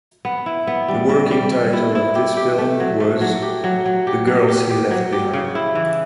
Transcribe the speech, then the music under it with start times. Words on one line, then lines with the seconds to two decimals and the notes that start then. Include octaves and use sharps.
The working title of this film was "The Girls He Left Behind".
0.25 B3
0.46 E4
0.67 B3
0.88 G3
1.09 G3
1.31 G3
1.52 G3
1.73 E4
1.95 E4
2.15 G4
2.37 G4
2.58 A3
2.80 F#3
3.00 A3
3.21 F#3
3.42 G4
3.64 F#3
3.86 F#3
4.07 G4
4.27 F#3
4.48 G4
4.70 G4
4.91 F#3
5.12 G4
5.33 C#3
5.55 E4
5.75 E3